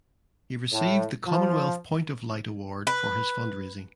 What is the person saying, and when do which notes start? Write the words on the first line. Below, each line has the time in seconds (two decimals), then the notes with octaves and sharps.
He received the Commonwealth Point of Light award for his fundraising.
0.72 A2
1.27 F3
2.87 B4